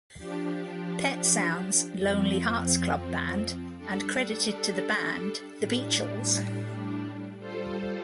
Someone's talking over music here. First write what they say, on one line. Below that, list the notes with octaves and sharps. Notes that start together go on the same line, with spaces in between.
Petsound's Lonely Hearts Club Band and credited to the band The Beachles.
F3 D4 G4
F2 F3 C4
G3 D4 A4
A2 G3 D4
G3 F4 A4 C5